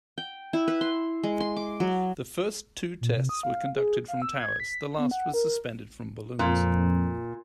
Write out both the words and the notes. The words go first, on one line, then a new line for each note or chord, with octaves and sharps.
The first two tests were conducted from towers, the last was suspended from balloons.
G5
E4
B4
C6
G#3
C6
D6
F#3
A#2
C3
D#6
F5
G#4
F5
E6
G#6
B6
B3
F#5
A#4
F2 A#2